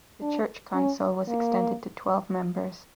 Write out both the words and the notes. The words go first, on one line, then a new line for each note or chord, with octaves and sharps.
The church council was extended to twelve members.
D4
C#4
A#3